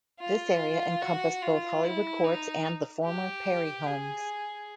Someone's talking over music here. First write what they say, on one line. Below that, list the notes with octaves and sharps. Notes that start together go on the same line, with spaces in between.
This area encompassed both Hollywood Courts and the former Perry Homes.
F4
F#4
F4
E4
D#4
G4
G#4